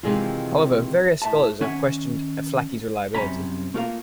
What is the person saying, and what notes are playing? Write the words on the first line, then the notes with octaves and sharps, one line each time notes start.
However, various scholars have questioned Aflaki's reliability.
C3 D#3 E3 G#3 A#3 F4
A2 E5 A5
D#3 C#4 E5 F#5 G#5
C2 F#2 C3 C#4 A#5 B5
A3 A#3 F4 F#4 A#4 F5